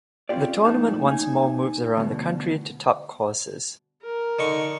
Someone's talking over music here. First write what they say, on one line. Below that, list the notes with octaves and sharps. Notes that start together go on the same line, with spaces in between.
The tournament once more moves around the country to top courses.
C4 C#4 D#4 F4 G4 D5
F2 A2 D#4 A5
A#3 D#4 G#5
D2 G2 B2
A#4
D3 D#4 C#6